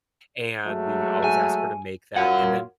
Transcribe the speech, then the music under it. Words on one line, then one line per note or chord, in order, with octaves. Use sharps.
and we would always ask her to make that, and then
F#3 G#3 A3
G#5
F#2 F#3 F4 A#4 F#5